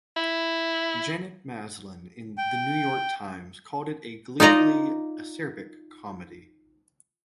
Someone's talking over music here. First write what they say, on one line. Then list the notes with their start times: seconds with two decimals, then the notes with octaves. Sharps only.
Janet Maslin in "The New York Times" called it a "gleefully acerbic comedy".
0.17 E4
2.38 G5
4.40 D#4 F4 D5 D#5 A#5